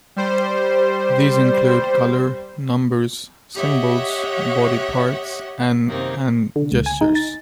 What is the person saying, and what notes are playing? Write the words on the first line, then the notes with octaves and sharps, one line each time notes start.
These include color, numbers, symbols, body parts and hand gestures.
G3 C5
G4 C#5 D#5 E5 F#5
F#2 C3 D#3 A#3 C4
D3
C#2
G#5
D#4
A6